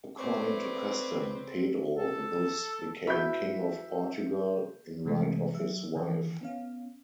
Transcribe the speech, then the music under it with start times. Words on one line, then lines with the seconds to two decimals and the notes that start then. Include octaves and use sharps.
According to custom, Pedro thus became king of Portugal in right of his wife.
0.18 A3 C4 B4 C#5 D5
1.97 A4
3.07 E4 F#4 B4 E5 G6
5.05 C3 E3 G#3 A3
5.55 F#3 E5
5.95 D#3 E3
6.41 B3 C#4 F5